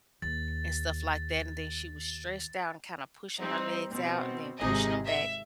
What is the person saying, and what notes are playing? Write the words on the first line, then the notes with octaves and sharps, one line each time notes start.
and stuff like that, and then she was stretched out and, kinda pushing her legs out and then pushing 'em back
D#2 A6
G3 C4 D#4
B2 C4
G#1 C3 D#4 G#4 D#5
E5